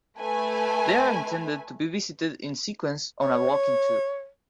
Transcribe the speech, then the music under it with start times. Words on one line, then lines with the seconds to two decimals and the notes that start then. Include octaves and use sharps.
They are intended to be visited in sequence on a walking tour.
0.19 A3 B4 G#5
3.22 C#5